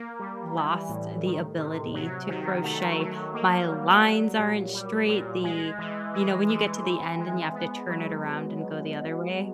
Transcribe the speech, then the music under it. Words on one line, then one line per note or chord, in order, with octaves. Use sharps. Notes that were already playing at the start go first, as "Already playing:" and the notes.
lost the ability to crochet. My lines aren't straight, the you know, when you get to the end and you have to turn it around and go the other way?
Already playing: A#3
G3
E3
A2
D#3
C3
F#3
D#3
A3
F#3
A#3
G3
F#3
A#2
G3
A#2
G#3
E3
G#3
E3
C4
G#3
B3
F#3